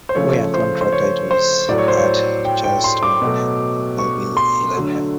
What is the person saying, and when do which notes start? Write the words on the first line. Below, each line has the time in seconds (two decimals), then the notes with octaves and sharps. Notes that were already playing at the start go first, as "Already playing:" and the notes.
Weyant won track titles at Charleston and Belleville, Illinois.
0.09 C5
0.15 C#3 F3 A3 C#5
0.54 C5
0.81 C5
0.92 C#5
1.31 C5
1.69 A2 F#3 A3 D5
1.78 C#5
1.88 C5
1.97 C#5
2.45 G5
2.64 G5
2.84 C6
3.03 D6
3.22 B2 F#3 A3
3.99 C#6
4.37 C6
4.76 D3 F#3 A3